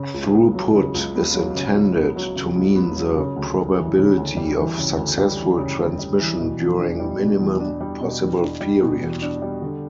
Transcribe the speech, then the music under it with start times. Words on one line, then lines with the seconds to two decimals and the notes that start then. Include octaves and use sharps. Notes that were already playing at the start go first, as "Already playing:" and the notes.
Throughput is intended to mean the probability of successful transmission during minimum possible period.
Already playing: C#3
0.14 C#2
0.34 B3
0.54 F#3
0.74 C#3
0.94 C#2
1.15 B3
1.34 F#3
1.55 C#3
1.75 C#2
1.95 B3
2.16 F#3
2.36 C#3
2.56 C#2
2.75 B3
2.97 F#3
3.16 C#3
3.36 D2
3.56 G3
3.77 E3
3.97 C#3
4.17 D2
4.37 G3
4.58 E3
4.78 C#3
4.97 D2
5.18 G3
5.38 E3
5.58 C#3
5.79 D2
5.99 G3
6.20 E3
6.39 B2
6.59 E2
6.79 D4
7.00 G3
7.20 B2
7.40 E2
7.60 D4
7.81 G3
8.01 B2
8.21 E2
8.41 D4
8.60 G3
8.81 B2
9.01 E2
9.22 D4
9.42 G3
9.62 D3